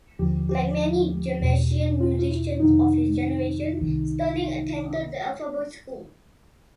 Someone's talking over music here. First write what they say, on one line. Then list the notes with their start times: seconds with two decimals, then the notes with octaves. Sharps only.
Like many Jamaican musicians of his generation, Sterling attended the Alpha Boys School.
0.19 D#2 D3 F3 G4
0.49 G4
1.40 E2 B2
2.00 F4
2.19 F4
2.30 E4
2.60 F2 C3 D#3 D#4
3.81 C2 C3 D#3